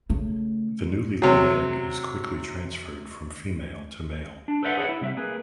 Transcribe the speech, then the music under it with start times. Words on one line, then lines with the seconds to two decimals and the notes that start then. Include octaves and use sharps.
The newly laid egg is quickly transferred from female to male.
0.10 C#3 A3
1.22 C3 F#3
4.48 D4
4.63 A4 B4 C5 D5 E5 F#5
4.78 G#4 B4 C#5 D5 F#5
4.89 E4
5.01 C3 G3 E5
5.17 A#3 G#4 B4